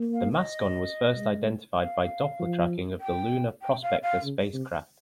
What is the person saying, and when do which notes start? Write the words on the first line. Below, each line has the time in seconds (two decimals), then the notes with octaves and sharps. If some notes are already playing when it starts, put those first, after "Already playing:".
The mascon was first identified by Doppler tracking of the Lunar Prospector spacecraft.
Already playing: A#3
0.14 F5
0.35 D#5
1.17 G#3
1.78 F5
2.40 F3
3.01 G5
3.62 G5
3.83 F5
4.03 F5
4.23 C#3
4.53 C3